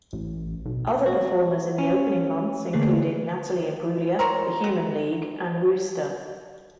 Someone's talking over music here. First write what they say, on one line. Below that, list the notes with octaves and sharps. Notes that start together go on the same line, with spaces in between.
Other performers in the opening months included Natalie Imbruglia, The Human League and Rooster.
A1
B1
F#4
C#4
D3 A3 A#3 G#4 B4
A#4 C5 C#5 A#5
F#4